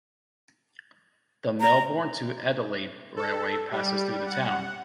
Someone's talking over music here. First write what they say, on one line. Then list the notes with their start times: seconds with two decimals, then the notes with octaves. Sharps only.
The Melbourne to Adelaide railway passes through the town.
1.61 A#5
3.16 A4
3.71 G3
4.26 F#5